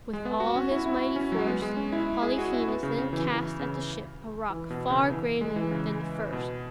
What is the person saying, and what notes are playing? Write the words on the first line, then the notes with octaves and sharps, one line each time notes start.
With all his mighty force Polyphemus then cast at the ship a rock far greater than the first.
G#3
B3
F#4
C#4
E4
E4
C#4
F#3
G#3
B3
G#3
C#4
E4
G#4
F#4
E4
B3
C#3
C#3
E3
E3
C#3
E3
B2
C#3
E3
G#3
E3
C#3
B2